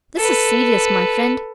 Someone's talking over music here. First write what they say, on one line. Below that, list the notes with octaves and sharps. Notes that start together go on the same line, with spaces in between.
This is serious, my friend!
A4 B4